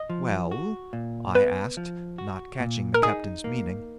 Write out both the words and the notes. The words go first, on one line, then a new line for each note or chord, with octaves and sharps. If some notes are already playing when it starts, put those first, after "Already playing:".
"Well?" I asked, not catching the captain's meaning.
Already playing: D#5
F3
F#4
A#2
B3 B4
F3
F#4
A#2
A#4
D#4 G#4
A#3